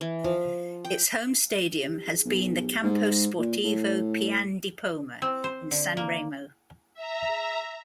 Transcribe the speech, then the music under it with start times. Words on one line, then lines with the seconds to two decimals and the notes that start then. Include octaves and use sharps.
Its home stadium has been the "Campo Sportivo Pian di Poma" in Sanremo.
0.01 E3
0.24 F3
0.85 G5
2.26 B1
2.84 G#2
3.39 A#2
3.64 A2
5.22 C4
5.44 C5
5.71 D3
5.97 A#3
6.94 E5 A#5